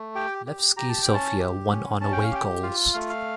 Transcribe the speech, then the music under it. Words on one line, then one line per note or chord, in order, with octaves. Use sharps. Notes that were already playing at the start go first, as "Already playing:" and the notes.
Levski Sofia won on away goals.
Already playing: A3
G4 G5
G4
G4 A#5
A5
G5
C#4
A5
G4
C#4
C#4 A5
G5
F5
G4 G5
F4 F5
A3 F5
F5